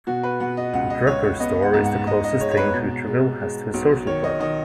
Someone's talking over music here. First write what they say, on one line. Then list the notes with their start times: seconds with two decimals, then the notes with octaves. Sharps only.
Drucker's Store is the closest thing Hooterville has to a social club.
0.07 B2 F#4
0.23 B4
0.40 B2 F#5
0.57 D#5
0.73 C#2 F#5
0.90 D#5
1.07 C#2 C#5
1.24 C#5
1.40 B3 D#5
1.62 F#5
1.74 G#2
1.84 F#5
2.07 G#2 D#5
2.24 D#5
2.40 G#3 C#5
2.51 C#5
2.57 B4
2.74 B2
3.07 G#3
3.40 G#3
3.74 B1
4.07 D#3 C#5
4.24 D#5
4.40 D#3 D#5